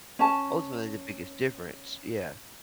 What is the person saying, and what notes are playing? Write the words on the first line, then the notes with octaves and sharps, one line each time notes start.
ultimately, the biggest difference. Yeah,
C#4 A5